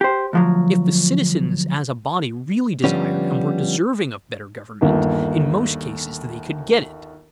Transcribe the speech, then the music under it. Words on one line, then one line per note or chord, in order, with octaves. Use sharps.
If the citizens as a body really desired and were deserving of better government, in most cases they could get it.
G4 C5
D2 F3 F#3
D3 F3 G3 B3 C#4
G1 D#2